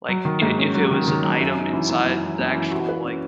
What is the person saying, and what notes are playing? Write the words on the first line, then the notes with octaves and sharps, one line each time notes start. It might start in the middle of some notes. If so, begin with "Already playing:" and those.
like, i if it was an item inside the actual, like,
F#3
D#3
G#2
C#4
F#3
D#3
D#3
F#3
F#2
D#4
E3
E3
F#2
E3
F#2
E3
F#4
B4
C#4